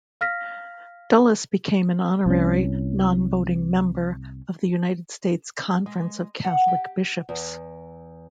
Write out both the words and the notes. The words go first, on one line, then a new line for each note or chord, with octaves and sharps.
Dulles became an honorary, non-voting member of the United States Conference of Catholic Bishops.
F5 F6 A#6 B6
C2 C#4
G#3
F#5
G4
E2